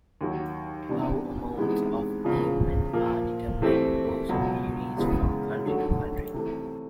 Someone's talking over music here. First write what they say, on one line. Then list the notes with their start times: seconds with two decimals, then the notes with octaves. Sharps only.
How amounts of payment are determined also varies from country to country.
0.21 D#2 D#3 F#3
0.89 C3 E3 G3 B3 D4
1.57 C3 E3 G#3 B3 D#4
2.25 E2 C#3 F3
2.93 A#2 F3 A#3
3.62 E3 A3 C4 E4 G4
4.29 C#2 B2 F#3 B3
4.97 F#2 C#3 E3 G#3 B3
5.66 D#2 D3 F#3 A3
6.34 C3 E3 A3